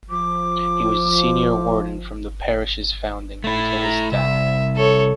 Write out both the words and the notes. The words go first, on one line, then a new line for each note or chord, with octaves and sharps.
He was the Senior Warden from the parish's founding until his death.
F3 D6
A3 E4
A#5
C2 E5
A4 C#5